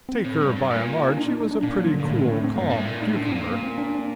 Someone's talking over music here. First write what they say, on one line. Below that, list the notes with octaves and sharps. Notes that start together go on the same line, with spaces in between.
Take her by and large, she was a pretty cool, calm cucumber.
C4
A2
G2
G2
A#2
D#4
D4
D#4
D#4
D4
A#2 D4
F#3
D3
A#2
A2 D#3
C4
D4
C4
G2 A#3
A2
A#2
A2 D#4
A2 D4
A#2
C4
A#2
A#3
C4
D4
D4